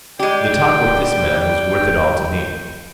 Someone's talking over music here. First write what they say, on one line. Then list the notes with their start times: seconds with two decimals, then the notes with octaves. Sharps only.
The talk with this man was worth it all to me.
0.19 G3 G#3 G4 G5